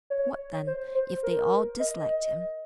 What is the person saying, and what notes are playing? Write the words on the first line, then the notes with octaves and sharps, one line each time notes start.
"What, then, if they all disliked him?"
C#5
C5
C5
A#4
D#5